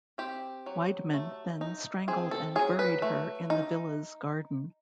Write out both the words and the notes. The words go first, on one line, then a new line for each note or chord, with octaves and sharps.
Weidmann then strangled and buried her in the villa's garden.
C4 G4
F#3
A3
D#4
C4 G#4
A4
F#3 G#4
B4
A3
D#4